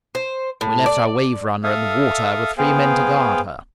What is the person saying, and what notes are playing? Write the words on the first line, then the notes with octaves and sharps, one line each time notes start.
We left our 'Waverunner' in the water with three men to guard her.
C5
A2
D5
A4 E5 F5 D#6 F6
B3 G#4 C5 F5 G5 G#5